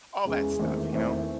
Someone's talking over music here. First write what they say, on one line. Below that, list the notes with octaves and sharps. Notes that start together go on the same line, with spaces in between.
all that stuff, you know,
E2 C#3 E3 G#3
E2 D#3 A3 C4 E4
E2 D#3 A3 C4 E4